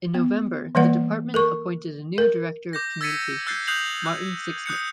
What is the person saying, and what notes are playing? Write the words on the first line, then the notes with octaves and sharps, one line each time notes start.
In November the department appointed a new Director of Communications, Martin Sixsmith.
B3
E3 G3 A#3 B4 D5 F#5
A4 A#4 C#6
A#4
D6 G6 A#6
E6 G#6 A6 B6 C#7 D#7
E6 F#6 G6 A6 C7
D#6 F#6 G6 C7 F7 F#7
F#6 G6
D#6 F#6 G6 C#7